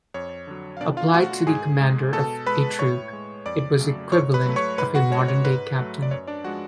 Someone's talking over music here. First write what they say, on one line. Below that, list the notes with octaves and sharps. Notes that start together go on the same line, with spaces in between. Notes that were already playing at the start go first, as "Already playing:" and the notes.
Applied to the commander of a troop, it was equivalent of a modern-day captain.
F2 C#5
D3 F#3
F5
B2 D4 D5
F4 F5
A3 F#4 F#5
G#2 G#4 G#5
G#3
B2 A4 A5
G#3 B4 B5
A2 C#5 C#6
G#3
F2 D5 D6
C#3 F#3 A3
G#2 C#5 C#6
B4 B5
F#3 A3
C#5 C#6
G#2 B4 B5
F#4 F#5
G#3 C#5
C#5
G#2 B4
F#3 A3
D5
F#2 C#5
D4 D5
F3 G#3 F#4 F#5